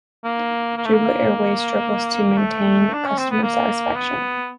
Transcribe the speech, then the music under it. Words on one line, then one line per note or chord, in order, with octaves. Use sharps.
Jubba airways struggles to maintain customer satisfaction.
A#3
A#3
A3
A#3
A3
D4
C#4
C4
B3
A#3
B3